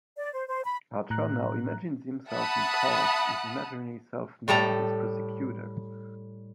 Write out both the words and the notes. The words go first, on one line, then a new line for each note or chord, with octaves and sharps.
Arthur now imagines himself in court, his imaginary self now his prosecutor.
D5
C5
C5
B5
A2 A#5 F#6
E5 F#5 A5 B5 D#6 F#6
A2 G3 A4 A#5